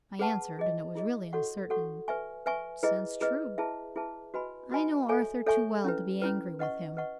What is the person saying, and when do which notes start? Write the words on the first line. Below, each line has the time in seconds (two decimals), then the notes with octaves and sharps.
I answered--and it was really in a certain sense true--"I know Arthur too well to be angry with him."
0.19 G#4 B4 F#5 A5
0.57 E4 G#4 D#5
0.95 E4 G#4 D#5
1.33 F#4 A4 C#5 F#5 C#6
1.70 F#4 A4 C#5 F#5 C#6
2.08 B4 E5 G#5 C#6
2.46 B4 E5 G#5 C#6
2.83 E4 G#4 B4 D#5
3.21 E4 G#4 B4 D#5
3.58 E4 G#4 B4 E5 A5
3.96 E4 G#4 B4 E5 A5
4.34 F#4 B4 D#5 G#5 B5
4.71 F#4 B4 D#5 G#5 B5
5.08 A4 C#5 E5 G#5 C#6
5.46 A4 C#5 E5 G#5 C#6
5.84 C#4 E4 B4
6.22 C#4 E4 B4
6.59 B4 D#5 F#5 C#6
6.97 B4 D#5 F#5 C#6